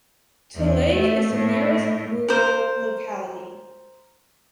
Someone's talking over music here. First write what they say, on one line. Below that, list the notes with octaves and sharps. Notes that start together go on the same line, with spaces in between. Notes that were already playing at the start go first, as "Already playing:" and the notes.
Tulay is the nearest rural locality.
E2
A3
A2
A#4 C5